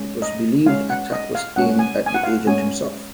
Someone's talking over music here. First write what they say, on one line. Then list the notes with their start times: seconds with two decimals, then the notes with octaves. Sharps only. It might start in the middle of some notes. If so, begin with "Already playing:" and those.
It was believed attack was aimed at the agent himself.
Already playing: G#3 C#4
0.22 D#5
0.66 G#3 C#4 F#4 F5
0.90 F#5
1.12 D#5
1.35 F5
1.56 G#3 C#4 F#4 F#5
1.79 G#5
2.06 G#5
2.14 F#5
2.24 F5
2.47 G#3 C#4 F#4 G#5